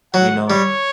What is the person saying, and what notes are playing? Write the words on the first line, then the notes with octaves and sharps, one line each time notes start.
You know?
F#3 F#5
G3 C#5